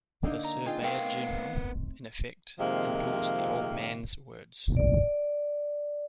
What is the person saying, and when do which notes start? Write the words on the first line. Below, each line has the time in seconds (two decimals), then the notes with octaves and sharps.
The Surveyor-General, in effect, endorsed the old man’s words.
0.24 D3 A#3 D#4
0.45 A#5
0.66 C4 D#4 F4 G#4
0.82 A3 B3 C4 A#4 D#5 F5
2.59 F2 C3 D#3 F3 G#3 A#3
4.77 D5